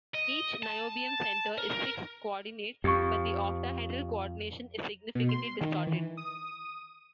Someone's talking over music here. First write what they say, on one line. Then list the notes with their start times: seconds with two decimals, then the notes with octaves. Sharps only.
Each niobium centre is six-coordinate, but the octahedral coordination is significantly distorted.
0.15 D#5
0.63 A5
1.58 A#4
2.84 F2 G4 C#6
5.15 B2
5.29 C6
5.61 D#3
5.87 E3
6.17 D#6